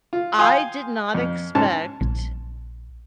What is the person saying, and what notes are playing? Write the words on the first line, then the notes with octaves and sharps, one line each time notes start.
I did not expect
F4
F5 G5 G#5 C6 D#6
F2
G#2 C#4 A5
A#1